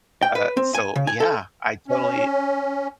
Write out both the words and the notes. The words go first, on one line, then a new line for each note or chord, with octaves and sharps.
Uh, so yeah, I totally
G5
B4
C4
G#5
C#3
G#5
A4
C#4